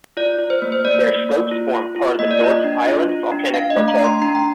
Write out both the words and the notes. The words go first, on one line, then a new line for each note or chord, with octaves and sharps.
Their slopes form part of the North Island Volcanic Plateau.
F4 D5
F4
C5
A#3
C5
A#3 D5
A#3
A#3
F4
F4
F4
A#3 D#5
D5
F4 D#5
D4
F4
F4
D4
D4 F5
D#5
A3
A#5
D4
C6
D4 A#5
G5